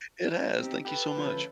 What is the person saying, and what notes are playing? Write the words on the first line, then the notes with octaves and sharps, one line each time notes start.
It has, thank you so much.
C4 D#4 G4
G4 A4 B4
D2 F3 C#4